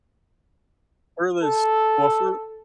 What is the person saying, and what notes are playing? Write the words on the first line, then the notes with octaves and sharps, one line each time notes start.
Furthest well, fur
A4